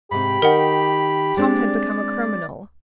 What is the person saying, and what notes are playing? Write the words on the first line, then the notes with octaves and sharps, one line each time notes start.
Tom had become a criminal.
G#2 C3 G4 B5
D#3 A#4 F#5
G#3 C4 D4 D5